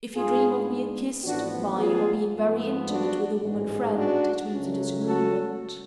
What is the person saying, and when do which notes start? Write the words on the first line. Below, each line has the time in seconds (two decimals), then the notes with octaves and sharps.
If you dream of being kissed by or being very intimate with a woman friend, it means a disagreement.
0.15 G#2 G#3 D4 F4 G#4
1.24 A1 A2 F3 B3 D4 F#4
1.78 F4 G#4
2.33 G#2 F3 B3
2.88 D4 F#4
3.42 A1 G#2 G#3
3.96 D4 F#4
4.51 C#2 C#3 F#3 A3 C#4
5.05 F#4 A4